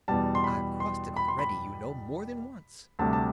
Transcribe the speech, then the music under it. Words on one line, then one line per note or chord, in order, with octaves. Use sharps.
I've crossed it already, you know, more than once.
E2 B2 G3 A5
C6
B5
C6
B5
C6
B5
D2 C3 G3 A5
A5